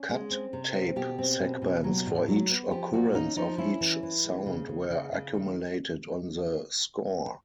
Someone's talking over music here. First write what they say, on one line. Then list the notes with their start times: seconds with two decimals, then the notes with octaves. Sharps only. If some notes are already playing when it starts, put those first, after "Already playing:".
Cut tape segments for each occurrence of each sound were accumulated on the score.
Already playing: C#4
0.09 G#3
0.30 C4
0.53 C3
0.74 C4
0.96 B2 G4
1.18 C4
1.40 B2
1.62 B2
1.84 F#3
2.06 A2
2.28 F#3
2.50 B3
2.71 F3 G4
2.93 A#2 F#4
3.15 C#4 D#4
3.36 F3 D#4
3.58 C#4 E4
3.81 E3
4.03 E3
4.25 G#3
4.46 C#3
4.69 C#3
4.90 C#3
5.13 C#3
5.34 D#3